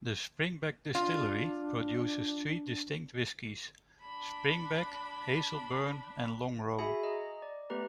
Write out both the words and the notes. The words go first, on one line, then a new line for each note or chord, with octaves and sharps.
The Springbank distillery produces three distinct whiskies; Springbank, Hazelburn, and Longrow.
D4 F4
D4 B5
F#4 G#4 E5 G#5 B5
D#5 A#5
D5
A3 B3 G4 B4 A#5